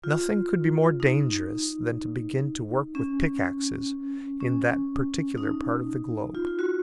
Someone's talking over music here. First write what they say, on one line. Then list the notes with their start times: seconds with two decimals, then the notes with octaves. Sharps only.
Nothing could be more dangerous than to begin to work with pickaxes in that particular part of the globe.
0.04 F4
1.00 D#4
2.95 C#4
4.41 C#4
5.38 D#4
6.35 F4
6.47 F4
6.59 F#4